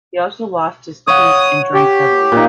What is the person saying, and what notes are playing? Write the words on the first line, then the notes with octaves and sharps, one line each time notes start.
He also lost his teeth and drank heavily.
C#5 F#5 D#6
G4
A#2 D#4